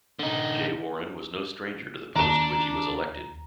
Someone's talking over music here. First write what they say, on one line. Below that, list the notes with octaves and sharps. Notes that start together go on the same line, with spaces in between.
Jay Warren was no stranger to the post to which he was elected.
D3 D#4
D#2 D4 A#5 E7